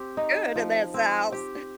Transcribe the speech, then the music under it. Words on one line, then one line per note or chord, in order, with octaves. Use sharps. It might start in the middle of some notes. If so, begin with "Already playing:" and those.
good in this house."
Already playing: C4 G4
D#4
F3
C4
G4